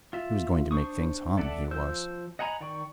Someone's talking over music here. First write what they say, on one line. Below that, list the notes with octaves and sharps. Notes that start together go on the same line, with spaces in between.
He was going to make things hum, he was.
F4 E5
D4 C5 C#6 D#6
A4 D5 E5 F#5 A5
F3 C5 E6 G6
D#5 F#5 G#5 A#5 B5
D#3 D5 G5 C#6